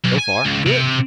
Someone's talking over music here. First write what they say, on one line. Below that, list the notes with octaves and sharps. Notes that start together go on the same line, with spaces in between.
So far, good!
B1
G#5
C#2
C3